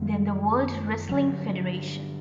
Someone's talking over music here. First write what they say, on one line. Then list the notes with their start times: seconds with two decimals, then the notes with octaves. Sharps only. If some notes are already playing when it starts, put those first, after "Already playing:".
Then the World Wrestling Federation.
Already playing: F#2 D#3 F#3 B3
1.09 G2 D3 F#3